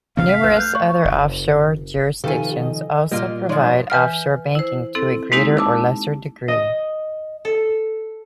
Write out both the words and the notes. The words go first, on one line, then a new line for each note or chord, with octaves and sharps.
Numerous other offshore jurisdictions also provide offshore banking to a greater or lesser degree.
G1 C3 B3 F5
B6
A1 E2 A2 B4
A3 F#6 G6
C#6
F#1
C3 D#3 F3 G4 A4 B4 F5 G#5
D#5
A#2 G3 A#3 F4 D#5
F3 G#3 D#4 C#5 D5
E3 B4 G#5 F6
E4 C5
C4 E4 A4
G#3 A#3 C4 D#4 E4 G4
A5 D6 E6
D#5
A4